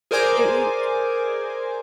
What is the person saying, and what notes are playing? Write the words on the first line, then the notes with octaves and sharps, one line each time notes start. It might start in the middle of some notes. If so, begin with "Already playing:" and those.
You you
G#4 A#4 C5 D5 G#5 D6